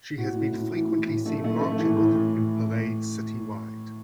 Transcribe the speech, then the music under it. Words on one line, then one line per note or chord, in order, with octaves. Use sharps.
She has been frequently seen marching with him in parades citywide.
A2 F#4
A2
A2
E3
A2
A2
A3
A3
A3
E3
A2
A2